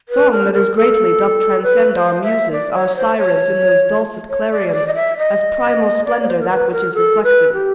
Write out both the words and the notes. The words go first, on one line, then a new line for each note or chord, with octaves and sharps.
Song that as greatly doth transcend our Muses, Our Sirens, in those dulcet clarions, As primal splendour that which is reflected.
B4
A#4
A#4
A4
B4
C5
E5
D5
C#5
C5
C#5
C#5
D5
C#5
D5
D#5
E5
D#5
D5
C#5
C5
A#4
B4
A#4
A4
B4
G4